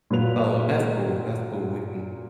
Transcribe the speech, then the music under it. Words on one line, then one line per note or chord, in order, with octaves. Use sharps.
So that's cool, that's cool, we can
A#2 F#3 B4 F7